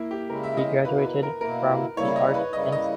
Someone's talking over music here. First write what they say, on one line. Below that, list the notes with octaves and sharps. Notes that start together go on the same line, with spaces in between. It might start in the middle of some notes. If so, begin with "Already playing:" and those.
He graduated from the Art Inst.
Already playing: A#3 E4
G4
C#3 G#3 C#4 E4 A#4
E5
D#5
B2 A#3 E4 B4
B4
A#4
B2 A#3 E4 A#4
C#3 G3 A#3 E4 C#5
D#5
B4
C#3 G3 A#3 E4 D#5
D#5